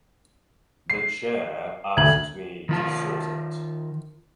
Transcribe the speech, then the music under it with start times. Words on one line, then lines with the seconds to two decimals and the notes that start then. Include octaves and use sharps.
The Chair asked me to sort it.
0.90 C7
1.97 D2 G#6 F#7
2.69 D#3 F4 A5